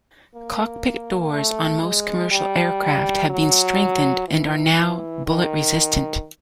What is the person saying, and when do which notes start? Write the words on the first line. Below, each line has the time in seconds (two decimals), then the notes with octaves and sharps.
Cockpit doors on most commercial aircraft have been strengthened and are now bullet resistant.
0.35 A#3
1.33 A3
1.82 G#3
2.31 G3
3.29 F#3
4.28 E3
5.27 D#3